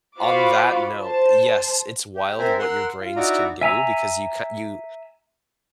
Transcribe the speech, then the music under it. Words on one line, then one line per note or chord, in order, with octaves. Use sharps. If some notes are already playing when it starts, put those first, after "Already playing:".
on that note, yes, it's wild what your brains can do because you ca you
F4 F#4 C5 F5 B5 D6
C5 A5
G4
C4 A#4 C5 E5 G#5
A#4 F#5 C6 E6 F#6
F4
D#4 E4 F#4 D5 A#5
E5 G#5 A#5 E6